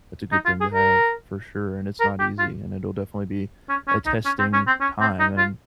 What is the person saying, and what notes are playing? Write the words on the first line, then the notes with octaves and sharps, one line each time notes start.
that's a good thing to have, for sure, and it's not easy, and it'll definitely be a testing time, and,
D#4
F4
G#4
A#4
A#4
G4
F4
C#4
C#4
D#4
C#4
C4
C#4
C4
C#4
C4
D#4
F4